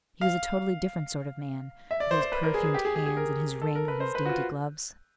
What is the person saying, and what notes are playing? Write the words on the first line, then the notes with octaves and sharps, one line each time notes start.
He was a totally different sort of man, with his perfumed hands, and his rings, and his dainty gloves.
F5
E5
D5
C5
C5
B4
A#4
G#4
G#4
G4
G#4
G#4
G#4
A#4
A4
A#4
B4
C5
B4
F#4
F4